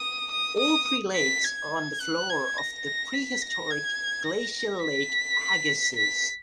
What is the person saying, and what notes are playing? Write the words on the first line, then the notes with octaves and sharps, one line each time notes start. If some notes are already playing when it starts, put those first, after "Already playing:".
All three lakes are on the floor of the prehistoric glacial Lake Agassiz.
Already playing: D#6
D#6
D#6
B6
G#6
F#6
G#6
A#6
A#6
B6
A#6
G#6
A#6
B6
B6